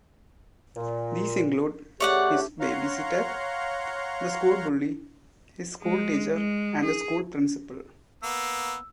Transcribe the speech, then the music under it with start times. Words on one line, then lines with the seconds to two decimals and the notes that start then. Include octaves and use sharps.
These include his babysitter, the school bully, his school teacher and the school principal.
0.77 A#2
2.00 C#3 A3 G4 C#5 D5 F#5
2.60 C#5 F5 F#5 A#5 C6
5.82 G#3
6.34 G#3
6.85 G#4
8.23 A#3 B3 E6